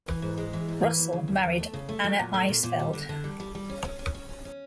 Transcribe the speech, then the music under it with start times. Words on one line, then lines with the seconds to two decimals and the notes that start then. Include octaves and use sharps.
Russell married Anna Isfeld.
0.08 E3
0.22 G#2
0.38 G#3
0.53 E3
0.69 G#2
0.83 E3
0.99 D#2
1.13 C#3
1.28 D#2
1.43 D#2
1.58 A3
1.73 C#3
1.89 A3
2.04 F#3
2.19 A#2
2.34 A3
2.49 A#2
2.63 A#2
2.79 G3
2.93 D3
3.09 D3
3.24 G3
3.40 G3
3.55 G3
3.70 C#4
3.85 C#4
3.99 C#4
4.15 C#4
4.29 C#4
4.45 C#4